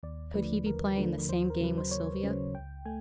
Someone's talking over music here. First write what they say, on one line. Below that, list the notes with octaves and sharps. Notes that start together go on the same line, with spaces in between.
Could he be playing the same game with Sylvia?
D#2 D5
D3 F3 A3 B4
D#2 A#4
D3 F3 A3 B4
D#2 C5
A#4
C#3 F#3 B4
C5
D#2 C#5
C#3 F#3
C#2 G5
A3 G#5